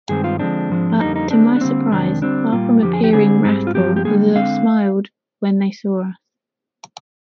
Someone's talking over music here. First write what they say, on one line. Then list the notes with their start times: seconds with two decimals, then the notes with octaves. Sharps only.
But, to my surprise, far from appearing wrathful, the smiled when they saw us!
0.09 G2 D#3 G#3 C4 G#4
0.24 F4
0.39 D3 F3 G#3 C4 D4
0.69 G#2 F3 G#3 C4
1.00 F2 D3 G3 A#3 D#4
1.16 D#4
1.31 D3 G#3 C4 D4
1.56 D4
1.61 D3 G3 A#3 C4
1.91 F2 C3 D#3 G#3 C4 D4
2.22 D3 G3 C4 D4
2.52 A#2 G3 A#3 F4
2.82 F2 D3 F3 G4
2.93 G#4
3.04 G4
3.13 D3 G3 C4 G#4
3.44 G#2 G3 C4
3.67 F4
3.74 G2 F3 C4 G4
3.96 G4
4.05 D3 G3 A#3 G#4
4.35 D3 G#3 C4 F5